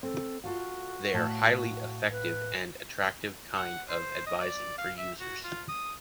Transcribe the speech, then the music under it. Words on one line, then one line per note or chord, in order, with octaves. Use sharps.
They’re a highly effective and attractive kind of advertising for users.
C4 A4
F4 F#4 A4 F5
A2 F5 A5
F#4
B4
F#5
C5
D#5
D5
F5
E5
F#4
F4
D#6